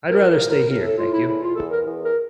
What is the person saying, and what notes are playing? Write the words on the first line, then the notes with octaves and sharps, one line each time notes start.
I'd rather stay here, thank you.
F3 A#4
A#4
A2
A#4
A2 A#4
A4
A2 F4
E4
E2 E4
F4
E2 A4
A#4
E2
A#4